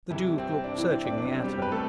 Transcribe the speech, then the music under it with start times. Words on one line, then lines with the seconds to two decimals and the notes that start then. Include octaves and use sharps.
The Duke looked searchingly at her.
0.10 C2 C3 E3 G3 E4
0.38 C4
0.64 D4
0.78 E3 E4
0.90 C4
1.05 D4
1.18 E2 C3 F#3 D4
1.32 C4
1.44 G3 G4
1.62 B4
1.72 A3 A4